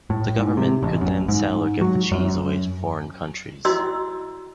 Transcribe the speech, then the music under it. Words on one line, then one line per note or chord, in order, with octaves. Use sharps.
The government could then sell or give the cheese away to foreign countries.
A2
G#2
C3
A1
F#2
G#2
F#3
F#2
E4 F#4 D#5 C6 E6